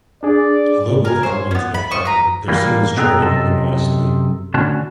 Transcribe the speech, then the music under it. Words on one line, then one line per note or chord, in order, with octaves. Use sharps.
Although both albums went platinum, their singles charted only modestly.
D4 G#4 D5
A#4 G#5
C5 C#5
B3 C#4
B5
C5 C6 C#6 D#6
B4 A#5
E3 G3 A#3
B2 F#4 G#4 A4 G5 A#5
F#2 C3 A4 D#5 A5
A2 D3 C#4 F#4 A5